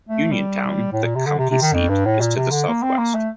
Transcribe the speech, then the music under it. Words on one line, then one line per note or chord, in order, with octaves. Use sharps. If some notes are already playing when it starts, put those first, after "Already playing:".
Uniontown, the county seat, is to the southwest.
A3
G3
A2
A#2
C3
D3
C3
C3
D#3
F2
G2
A2
A#2
C3
D3
A#3
C4
A#3
A3